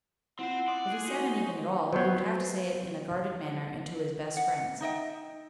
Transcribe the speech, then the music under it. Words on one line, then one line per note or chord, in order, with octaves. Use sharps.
If he said anything at all he would have to say it in a guarded manner and to his best friends.
C4 E4 F4 C5 F#5
D5 C6 D#6 F#6
G#4
D#4 F4 F#4 G#5
F#3 B3 C5 C#5
F#5
D#4 D#5 E5 G5